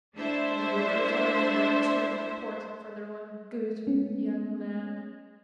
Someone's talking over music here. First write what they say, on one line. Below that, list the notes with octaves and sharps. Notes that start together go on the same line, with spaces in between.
"The Rovers always were too important for their own good, young man."
A3 D4 E4 C5 E5
G#3 A3 B3 C#4